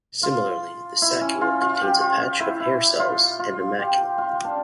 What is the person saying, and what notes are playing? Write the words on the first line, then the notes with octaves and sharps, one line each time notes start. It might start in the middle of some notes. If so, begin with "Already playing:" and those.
Similarly, the saccule contains a patch of hair cells and a macula.
F4
E4
C#4
F4
F4
G4
F4
E4
E4
F4
F4
G4
F4
D4